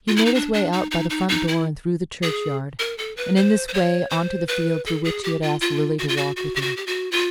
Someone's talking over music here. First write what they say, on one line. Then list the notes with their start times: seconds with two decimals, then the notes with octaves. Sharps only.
He made his way out by the front door, and through the churchyard, and in this way on to the field through which he had asked Lily to walk with him.
0.08 F4
0.16 E4
0.25 D#4
0.35 D4
0.54 D4
0.73 D#4
0.91 D#4
1.10 D#4
1.29 D#4
1.48 E4
2.23 G#4
2.80 A#4
2.98 A4
3.17 B4
3.36 C5
3.68 C5
3.74 C#5
4.10 C5
4.48 B4
4.86 A4
5.05 G#4
5.24 G4
5.42 F4
5.61 F4
5.99 F#4
6.08 F4
6.17 F#4
6.36 F#4
6.56 G4
6.62 F#4
6.77 G4
6.87 F#4
7.12 F4